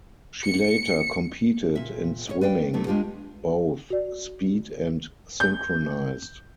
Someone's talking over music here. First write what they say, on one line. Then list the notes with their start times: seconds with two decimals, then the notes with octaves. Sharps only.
She later competed in swimming, both speed and synchronized.
0.42 C#7
1.75 A#2 E5
2.27 D2 E4 C#5
2.41 B4 D5 F5 G5
2.73 D3 F#3 A3 B3 D4
2.87 G#3 D4 F4 G4
3.90 F#4 D5
5.40 G6